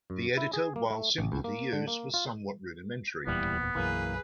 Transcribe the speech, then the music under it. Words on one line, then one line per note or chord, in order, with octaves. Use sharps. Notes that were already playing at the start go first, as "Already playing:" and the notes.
The editor, while simple to use, was somewhat rudimentary.
F#2
E4
G#4
A#3
A3
A1
C#2
A#3
D3
A#3
F4
D1 E2 A#2 E3 G3 B3
B1 F#2 E3 A#3 G#4 B4